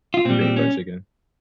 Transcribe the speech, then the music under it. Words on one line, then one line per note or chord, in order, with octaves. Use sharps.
Korean fried chicken.
F4
A#2 G3 C4
C4
C#4